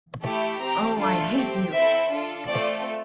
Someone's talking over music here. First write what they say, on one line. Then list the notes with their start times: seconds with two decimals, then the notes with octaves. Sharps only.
Oh, I hate you!
0.22 A3 E4 G4
0.60 C4 G4 A#5
0.97 A3 D4 F4 A4
1.35 C4 G4
1.72 C4 E4 A4 E5
2.10 D4 F4 A4
2.47 A3 C4 F4 A4 D5